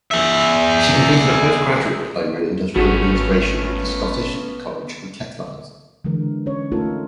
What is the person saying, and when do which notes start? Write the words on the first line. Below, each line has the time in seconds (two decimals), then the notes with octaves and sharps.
She completed a Post-graduate Diploma in Industrial Administration at the Scottish College of Textiles.
0.11 G#4 E5
2.76 G#1 A3 B3 C#4 F4 F#4 C#5
6.05 D3 E3 G#3 A#4
6.46 C#4 C#5
6.71 A3 D#4 F4 A4 A#4